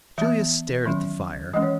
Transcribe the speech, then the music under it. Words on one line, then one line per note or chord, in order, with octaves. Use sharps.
Julius stared at the fire.
E3 B3 E5
D#3 F#3 C#4
E3 G#3 C#4 D#5
C#5